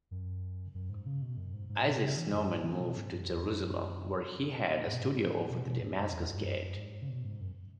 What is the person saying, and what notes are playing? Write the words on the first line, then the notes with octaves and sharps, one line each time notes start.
Isaac Snowman moved to Jerusalem, where he had a studio over the Damascus Gate.
F#2
F#2
G#2
C#3
B2
F#2
G#2
G#2
B2
C#3
E3
F#2
G#2
E3
B2
G#2
F#2
E2
F#2
G#2
B2
G#2
B2
B2
G#2
F#2
E2
F#2
G#2
F#2
G#2
C#3
B2
G#2
F#2